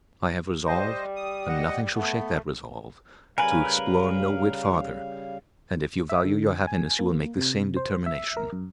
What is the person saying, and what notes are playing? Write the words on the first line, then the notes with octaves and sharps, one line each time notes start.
I have resolved, and nothing shall shake that resolve, to explore no whit farther, and if you value your happiness you will make the same determination.
G3 C5 D#5
D#6
D#5 F#5
A3 B3
C#3 G3 A#4 B4 F5 G#5
E5
D3
G#5
A#3
C3
C5
E5
A#4
F#2